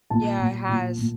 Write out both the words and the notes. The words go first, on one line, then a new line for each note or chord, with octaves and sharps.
Yeah, it has.
A#2 A5
A#2
A#2
A#2